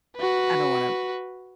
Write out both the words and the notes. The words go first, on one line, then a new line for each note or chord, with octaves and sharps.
I don't wanna
F#4 B4